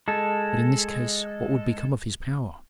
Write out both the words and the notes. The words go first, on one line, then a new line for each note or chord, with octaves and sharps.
But in this case what would become of his power?
G#3 A4